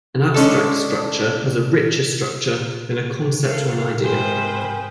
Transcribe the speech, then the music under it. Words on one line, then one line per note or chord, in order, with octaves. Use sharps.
An abstract structure has a richer structure than a concept or an idea.
G#3 C#4 D4 A4
A4 A#4 F5
G#2 C3 G#4 B4 C5 G5